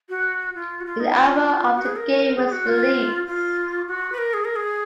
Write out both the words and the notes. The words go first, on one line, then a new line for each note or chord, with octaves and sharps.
An alpha of the game was released.
F#4
F4
F#4
F4
D#4
F4
F#4
G#4
A#4
G#4
F#4
F4
F4
F#4
B4
A#4
G#4
A#4
G#4